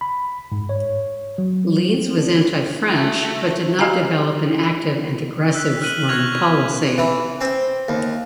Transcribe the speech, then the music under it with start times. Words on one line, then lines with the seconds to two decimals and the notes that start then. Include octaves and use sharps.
Leeds was anti-French but did not develop an active and aggressive foreign policy.
0.01 B5
0.52 G#2
0.69 C#5
1.38 F#3
1.94 C4
2.17 D4
2.91 A3 F#4
3.79 F#4 G4 D#5 F5 G#5 A#5
5.54 E6 F#6 B6
5.82 F6 F#6 D#7 F#7
6.09 C#6 F6 F#6 G#6 A#6 F7
6.98 E3
7.41 C4
7.89 D#2